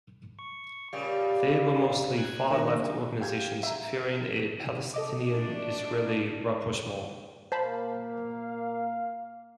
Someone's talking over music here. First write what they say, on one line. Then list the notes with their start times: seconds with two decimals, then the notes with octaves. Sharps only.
They were mostly far-left organizations fearing a Palestinian-Israeli rapprochement.
0.39 C#6
0.93 A#2 C#3 G3 D5 F5
2.17 F#6 G#6
2.51 D#3 A#3 D4 F#4
3.20 G4 F5 G5 G6 G#6
3.63 E5 A#5
4.94 A4 D#5 D6
5.28 A3 D4 D5
7.52 A#2 A#3 C5 F5 A5 B5